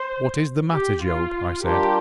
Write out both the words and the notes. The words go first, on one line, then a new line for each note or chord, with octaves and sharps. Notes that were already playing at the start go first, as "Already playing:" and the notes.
"What is the matter, Job?" I said.
Already playing: C5
G4
F4
G3 D4 F4 G4 A#4